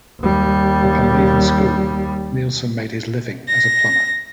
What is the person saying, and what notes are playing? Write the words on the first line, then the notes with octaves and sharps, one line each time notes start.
Upon leaving school, Nilsen made his living as a plumber.
D#2 G3
A#6